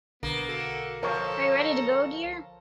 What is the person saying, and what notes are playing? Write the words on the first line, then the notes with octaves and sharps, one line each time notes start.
Are you ready to go, dear?
B1 D3 A#3 B3
F#4 A4
F3 A4 A#4 C#5 F5 A5 A#5